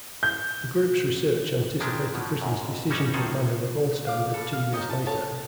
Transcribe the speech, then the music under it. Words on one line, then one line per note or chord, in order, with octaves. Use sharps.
The group's research anticipated Britain's decision to abandon the gold standard two years later.
G6
D#3 F3 G#3 D4 E4
B2 F3 F#3
F#2 A#2
F2
F#3 G3 C#4 D#4 F#4
A2 D#3 F3 C4 G#4 A4
F5 D6
A4 B4
F5
C#5 D#5 G5 A#5
A5
A4 C#5 A5